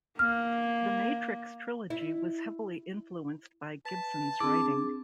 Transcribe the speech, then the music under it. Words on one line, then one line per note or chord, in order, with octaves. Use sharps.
The Matrix Trilogy was heavily influenced by Gibson's writing.
A#3 F6
E4
B4 A5
C4 D4 E4 G#4 D6